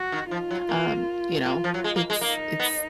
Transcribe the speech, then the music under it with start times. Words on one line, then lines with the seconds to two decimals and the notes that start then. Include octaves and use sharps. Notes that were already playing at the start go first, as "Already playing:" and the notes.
um, you know, it's it's
Already playing: F#4
0.12 D#3
0.31 F3 F4
0.51 F#3
0.69 A#3
1.45 A#3 F4
1.64 F3
1.74 F#3
1.84 G#3
1.96 A#3
2.10 G#3
2.21 A#3 D#4
2.60 B3